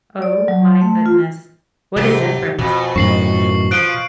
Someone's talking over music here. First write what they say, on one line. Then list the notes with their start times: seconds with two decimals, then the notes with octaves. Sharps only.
Oh my goodness. What a difference.
0.22 D5
0.48 F#3
0.64 C6
0.81 A3
1.06 F4
1.96 G#2 C3 G4
2.59 F2 B2
2.96 F#2 A2 D#3 C#6 C7 F#7
3.71 F3 F#6 D7